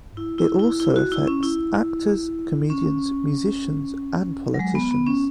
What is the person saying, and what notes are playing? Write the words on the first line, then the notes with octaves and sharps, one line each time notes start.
It also affects actors, comedians, musicians, and politicians.
E4
E4
E4
E4
F#4
E4
C#4
E4
C#4
F#3
G#3
B3
B3
C#4